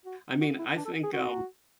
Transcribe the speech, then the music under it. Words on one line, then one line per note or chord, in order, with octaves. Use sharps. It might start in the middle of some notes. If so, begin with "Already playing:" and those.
I mean, I think, um
F#4
F#4
E4
D4
A4
G#4
F#4